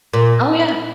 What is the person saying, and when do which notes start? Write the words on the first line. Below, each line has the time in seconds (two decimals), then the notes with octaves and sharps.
Oh, yeah.
0.13 A#2